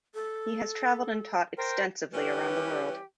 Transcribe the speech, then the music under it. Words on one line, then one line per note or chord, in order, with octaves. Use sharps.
He has traveled and taught extensively around the world.
A4
A#4 C5 G5
E3 G3 C#4 G4 B4 G5